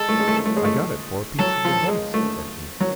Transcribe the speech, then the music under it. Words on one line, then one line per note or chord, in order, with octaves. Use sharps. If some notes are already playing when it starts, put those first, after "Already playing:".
"I got it for a piece of advice," said he.
Already playing: G#3 A4
A3
G#3
A3
A3
G#3
A3
F#3 A4
F3
G#3
A3
F#3